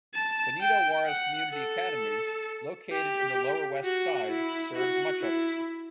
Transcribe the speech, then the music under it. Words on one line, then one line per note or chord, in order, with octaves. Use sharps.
Benito Juarez Community Academy, located in the Lower West Side, serves much of it.
A5
G5
F#5
A4
G4
F#4
E4
F#4
E4